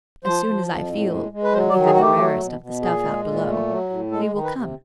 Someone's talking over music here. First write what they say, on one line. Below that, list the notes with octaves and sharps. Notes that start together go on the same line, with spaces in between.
As soon as I feel that we have the rarest of the stuff out below, we will come.
F3 C5
F3
F2
A2
G#3
G#3
B4
F#3 C5
D5
D#3
G#4
A3 F#4
G4
F#3
B2
B2
A#2 G#4
G#3
A#2
A3
F#3
A2
G#3 A4
D#3
B4
C3